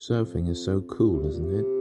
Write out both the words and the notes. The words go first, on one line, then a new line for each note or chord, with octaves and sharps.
Surfing is so cool, isn't it?
F2
G2
C3
G2
A#2
C3